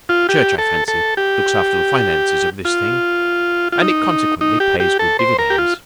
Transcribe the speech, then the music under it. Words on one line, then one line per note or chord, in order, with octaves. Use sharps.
The Church, I fancy, looks after the finances of this thing, and it consequently pays good dividends.
F4
G4
A4
A4
G4
F4
F4
D#4
D#4
G4
G4
A4
C5
A#4
G4
F4